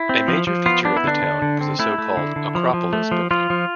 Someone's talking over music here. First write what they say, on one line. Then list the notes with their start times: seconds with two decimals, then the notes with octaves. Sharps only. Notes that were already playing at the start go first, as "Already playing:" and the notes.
A major feature of the town was the so-called 'acropolis' building.
Already playing: E4
0.09 C4
0.28 F3
0.47 F3
0.66 B3 F4
0.85 B3 D4
0.97 E4
1.04 D3 D4
1.22 D3
1.42 D3
1.61 C4
1.79 A3 E4
1.98 A3
2.17 D3
2.36 D3
2.55 F3
2.74 F3
2.93 A3
3.12 F3
3.31 F3 F4
3.50 F3